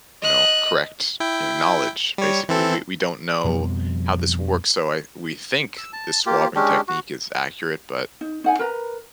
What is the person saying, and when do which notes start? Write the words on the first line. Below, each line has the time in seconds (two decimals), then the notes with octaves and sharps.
you know, correct, you know, knowledge, basically we we don't know how this works, so I we think the swabbing technique is accurate, but
0.22 D#5 F#6
1.20 E4 G5
2.18 G3 C#5
2.49 E3 C4 A4
3.44 F2 B2 F3 G3
5.78 E6
5.93 A5
6.26 A#3 F4 G4
6.56 G#3 C#4 D4 G4
6.88 F#4
8.21 D#4
8.44 D#4 F#5 G#5
8.59 A#4 B4 A#5